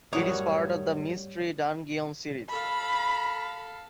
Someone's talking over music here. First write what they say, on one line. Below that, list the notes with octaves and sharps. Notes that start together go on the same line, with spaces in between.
It is part of the "Mystery Dungeon" series.
F#2 A2 G3 F#4 C#5 D#6
A4 F5 B5